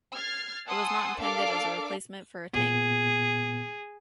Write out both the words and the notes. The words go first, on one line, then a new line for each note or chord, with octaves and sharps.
It was not intended as a replacement for a tank.
F6 G#6 A6 C7
F#5 G#5 A5 C6 D#6 E6
D4 A4 A#4 F5 D6
A#2 B3 G#4